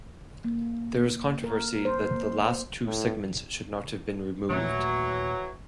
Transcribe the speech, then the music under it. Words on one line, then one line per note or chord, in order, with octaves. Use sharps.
There is controversy that the last two segments should not have been removed.
A#3
A#4
C5
A#3
A2
D#2 A#2 E3 F#3 A3